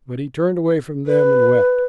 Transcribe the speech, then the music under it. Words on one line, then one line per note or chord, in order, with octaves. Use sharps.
But he turned away from them and wept.
B4